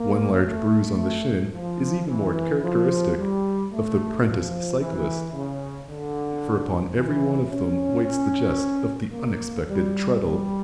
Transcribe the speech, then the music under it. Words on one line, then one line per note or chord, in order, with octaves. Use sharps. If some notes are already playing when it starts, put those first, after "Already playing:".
One large bruise on the shin is even more characteristic of the 'prentice cyclist, for upon every one of them waits the jest of the unexpected treadle.
Already playing: A#3
A3
F3
E3
F3
G3
A3
F3
E3
C#3
D3
E3
C#4
C#4
A#3
G3
G3